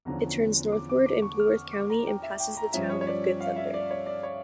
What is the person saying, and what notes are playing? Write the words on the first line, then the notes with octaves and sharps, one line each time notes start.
It turns northward in Blue Earth County and passes the town of Good Thunder.
E2 D3 F3 C#4 A#5
D6
D6
D6
C#6
F6
D6
A#5
G5
E5
G5
A#5
G2 F3 C#4 E5
C#5
C#5
D5
F5
E5
D5
C#5
D5
C#5